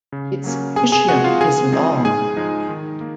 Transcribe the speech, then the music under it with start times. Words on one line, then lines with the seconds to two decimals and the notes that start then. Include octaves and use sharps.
Its ischium is long.
0.12 C#3
0.44 F#3 A#3 C#4
0.76 C3 G#4 G#5
0.92 G#4 G#5
1.08 F3 F#4 F#5
1.11 G#3
1.24 F4 F5
1.41 C#3 G#4 G#5
1.72 F3 G#3 C4 D#4
2.05 G#2 G#4 G#5
2.36 F3 G#3 D#4
2.69 D#3
3.01 A#3